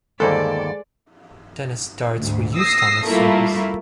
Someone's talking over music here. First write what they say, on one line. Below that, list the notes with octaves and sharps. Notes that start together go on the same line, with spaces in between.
Dennis Darts were used on this service.
G1 D#2 G#3 A#3 A4 C5 D5
D2 G#2
D#6 E6 A#6 C7
G3 A3 A#3 E4 F4